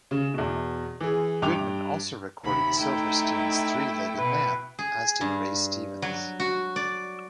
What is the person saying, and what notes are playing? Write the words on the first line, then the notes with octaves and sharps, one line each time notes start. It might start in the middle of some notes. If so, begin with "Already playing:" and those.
Goodman also recorded Silverstein's "Three-Legged Man", as did Ray Stevens.
C#3
E2 B2
E3 G#4
G2 G5 D6 F7
D#2 C3 B5
A3 D#4 E4 G5
B2 B4
G#4
G2
F#3
F#4
D5